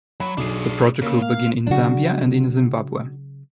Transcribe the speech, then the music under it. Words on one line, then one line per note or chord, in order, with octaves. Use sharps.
The project will begin in Zambia and in Zimbabwe.
F#3 B5
B1 D4 G#4
C#3 A#3
F5
C#3 F#3 D4 F#4